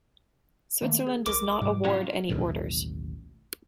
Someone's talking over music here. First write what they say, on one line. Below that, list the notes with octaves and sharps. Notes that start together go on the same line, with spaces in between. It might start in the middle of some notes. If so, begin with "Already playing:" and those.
Switzerland does not award any orders.
D#3 A3 A#3
G#4
B1 A#4 D6
G#2 C3 G3
F#3 C#4 F4
A1 D#2 B2 F#3